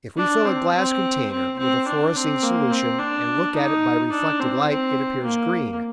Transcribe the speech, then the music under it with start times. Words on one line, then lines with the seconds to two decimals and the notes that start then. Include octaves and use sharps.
If we fill a glass container with a fluorescein solution and look at it by reflected light it appears green.
0.17 D4
0.46 C4
0.74 C4
1.31 C4
1.58 C4
1.87 D4
2.15 C4
2.43 A#3
2.71 C4
2.99 D4
3.55 D#4
4.12 D4
4.40 C4
4.68 C4
5.24 A#3